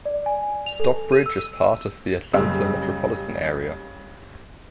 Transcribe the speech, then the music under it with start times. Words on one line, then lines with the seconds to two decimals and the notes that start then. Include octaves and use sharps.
Stockbridge is part of the Atlanta metropolitan area.
0.05 D5
0.26 G#5
0.66 F7
0.80 A4
1.12 D#7
1.26 E6
2.33 F#1 C#3 G3 E6